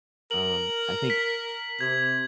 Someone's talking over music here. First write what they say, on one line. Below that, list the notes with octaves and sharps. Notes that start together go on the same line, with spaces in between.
Um, I think
A#4 F#7
B6
C3 G#6